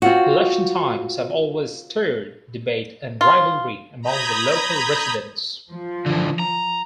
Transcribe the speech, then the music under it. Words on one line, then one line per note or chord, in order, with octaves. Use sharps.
Election times have always stirred debate and rivalry among the local residents.
C4 F4 F#4
F4
A#5 B5 D#6 G6 G#6
F3
D3 E3
A#5